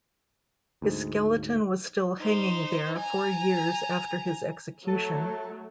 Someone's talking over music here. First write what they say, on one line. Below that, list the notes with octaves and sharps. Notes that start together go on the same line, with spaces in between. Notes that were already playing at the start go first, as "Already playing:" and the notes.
His skeleton was still hanging there four years after his execution.
D2 G#2
D#4 C5
G#5 A#5
F#3 A3 A4